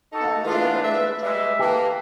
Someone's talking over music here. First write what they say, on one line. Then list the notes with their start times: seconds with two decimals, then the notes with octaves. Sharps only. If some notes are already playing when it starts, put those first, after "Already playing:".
However, they never entered a team.
0.13 D#4 F#4 A4
0.45 E3 G#3 D4 F4 B4
0.84 E5
1.22 G3 G#3 E5
1.59 E3 A#3 G4 A4 B4